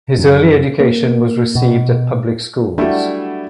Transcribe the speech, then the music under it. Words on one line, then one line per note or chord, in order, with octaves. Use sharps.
His early education was received at public schools.
F#2
A#3
B2
G3 A3 D4 E4 F#4